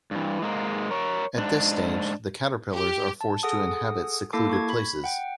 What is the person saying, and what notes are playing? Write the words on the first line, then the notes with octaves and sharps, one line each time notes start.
At this stage, the caterpillars are forced to inhabit secluded places.
G2 E3
G#2 G#3 A#3
A#4 C#5
G#2 D4
G4
A5
G#4 A4 F#5 D#6
A#3 E4 A4 A5 D6 C7
C#6 G#6
B5
F#5 G5